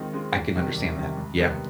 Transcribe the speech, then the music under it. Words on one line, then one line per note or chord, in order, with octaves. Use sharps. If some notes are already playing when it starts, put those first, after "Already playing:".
I can understand that. Yeah.
Already playing: D#3 G#3 C4 F4
G#3 C4 F4
E2
C3 D#3 G3
E2
C3 D#3 G3
C#2
C3 D#3 G3 B3